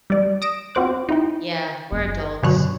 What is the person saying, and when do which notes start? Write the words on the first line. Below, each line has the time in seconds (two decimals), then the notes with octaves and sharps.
Yeah, we're adults.
0.10 G3 D5
0.42 D#6 A#6 D7 E7
0.75 C4 F4 F#4 C5 D6 F#6
1.09 D#4 E4 G5
1.92 G1
2.43 G2 B2 D3 F#3 C#5 F#6